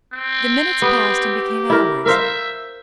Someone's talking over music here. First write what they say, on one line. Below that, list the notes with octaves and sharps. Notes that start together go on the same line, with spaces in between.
The minutes passed and became hours.
C4
B3 G4
E4 A#4
A#4 C5 E5 F5